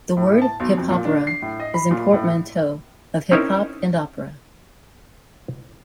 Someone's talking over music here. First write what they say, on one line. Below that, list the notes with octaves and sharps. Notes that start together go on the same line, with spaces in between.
The word "hip hopera" is a portmanteau of "hip hop" and "opera".
A2
A5
B1
F2
A#2
D4
C7
A2
D#5
B5
A#2
A2
C4 C#4 D#4 E4 A#4 C#5